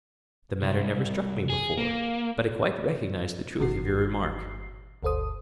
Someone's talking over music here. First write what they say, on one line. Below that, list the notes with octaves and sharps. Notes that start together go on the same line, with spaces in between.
The matter never struck me before; but I quite recognise the truth of your remark.
C2
G#4
A#3
G1 A#2 D#3 F#4 C7
G1 D2 A4 C5 D#6